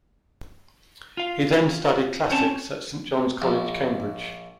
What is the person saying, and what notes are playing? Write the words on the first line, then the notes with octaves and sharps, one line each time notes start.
He then studied classics at Saint John's College, Cambridge.
F4 F5
C4 C#4 C5 C#5 A5
A#1